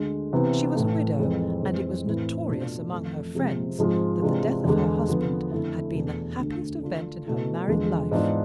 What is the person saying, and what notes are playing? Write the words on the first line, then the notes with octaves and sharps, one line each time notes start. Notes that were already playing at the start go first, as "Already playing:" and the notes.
She was a widow; and it was notorious among her friends that the death of her husband had been the happiest event in her married life.
Already playing: D2 D3 G#3
C3 E3 B3 E4
A2 E3 A3
F2 E3 G#3 C4
F2 E3 G#3 C4
A2 E3 A3 C4 E4
B2 A3 D4 F4
F2 E3 A3
C3 F3 G#3 C4
G#2 F3 G#3 C4 F4
C3 E3 G#3 D4 F4
E2 D3 G#3
D3 F3 B3
F2 D3 A3 E4
E2 B2 A3 D4
D2 D3 A3
D3 A3 D4 F4
B2 A3 E4
E2 D3 F3 G#3
G#2 E3 B3 D4 F4